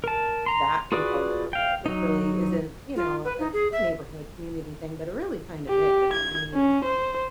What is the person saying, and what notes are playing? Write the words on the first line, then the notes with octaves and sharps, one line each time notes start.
that component of it, which really isn't, you know, a neighborhood community thing, but it really kind of is. I mean,
A#4 A5
A#5 C6
F4 F#4 G#4 B4 D5
F5 G5
F#3 D#4
F4
B4
D#4
G#4
E5
G4
G#6
C#4
C5